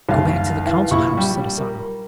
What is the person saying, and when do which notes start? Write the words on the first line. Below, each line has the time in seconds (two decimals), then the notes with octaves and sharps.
"Go back to the Council House," said Asano.
0.09 F#1 C2 D#3 F5
0.65 E4 B4 F5
0.91 A#1 E4 C#6
1.17 G3
1.57 A#4